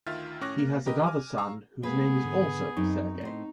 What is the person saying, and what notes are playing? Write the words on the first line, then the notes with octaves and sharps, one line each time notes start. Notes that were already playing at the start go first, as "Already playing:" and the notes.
He has another son, whose name is also Sergei.
D2 D#3 F4 E5 F6 A6
A2 C#4 C#6 D6 F#6 A#6
A#3
G4 A#4 B4 D#5
G#5 D6 F6
F5 A#5 C#6 E6
G#3 A#3 B3 G#4 B4
G#2 D3
F#2 C4 D#4 C#6
A2 C5